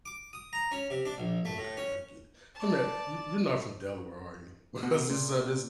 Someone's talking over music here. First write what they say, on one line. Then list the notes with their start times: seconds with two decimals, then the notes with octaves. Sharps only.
Okay, I get it. I mean, you you're not from Delaware, are you? Because this this
0.06 D6
0.33 D#6
0.53 A#5
0.72 C#4
0.90 C3
1.05 D4
1.18 A#1
1.45 A3
1.58 A2
1.77 C#4
2.55 D5 A5
4.83 B2
5.10 A#2